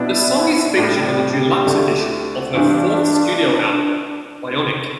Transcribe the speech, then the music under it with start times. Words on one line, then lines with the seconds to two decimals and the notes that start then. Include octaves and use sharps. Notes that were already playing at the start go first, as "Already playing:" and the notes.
The song is featured on the deluxe edition of her fourth studio album "Bionic".
Already playing: B2 B3 D4 E4
0.77 A2 G3 D4 G4
1.66 D2 D3 A3
2.55 G2 E3 G3 B3 D4